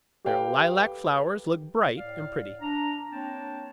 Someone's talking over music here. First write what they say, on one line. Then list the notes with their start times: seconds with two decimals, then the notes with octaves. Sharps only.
Their lilac flowers look bright and pretty.
0.25 G4 A4 B4 F5 G5
1.98 A2 D5 F5
2.61 D4 A#5
3.12 A#3 C4 D4 C#5 G5 A5